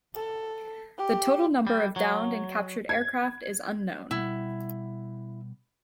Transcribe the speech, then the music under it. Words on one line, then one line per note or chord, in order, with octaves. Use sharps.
The total number of downed and captured aircraft is unknown.
A4
G4
G3
F#3
G#6
B2 G3 E4 F#5